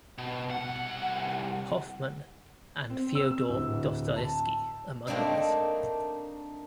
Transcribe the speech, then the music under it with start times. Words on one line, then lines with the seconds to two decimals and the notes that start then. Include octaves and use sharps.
Hoffmann, and Fyodor Dostoevsky, among others.
0.18 B2
0.49 C2 F#5
2.90 C4
3.15 E6
3.49 D1
4.16 A5
5.07 A3 A#3 C4 D4 D#4